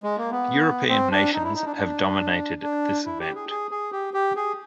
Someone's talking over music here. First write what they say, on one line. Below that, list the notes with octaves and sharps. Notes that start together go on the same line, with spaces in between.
European nations have dominated this event.
G#3
A#3
B3
C4
D4
D#4
E4
D#4
D4
D4
D4
E4
G4
G#4
G#4
G#4
G4
G4
G#4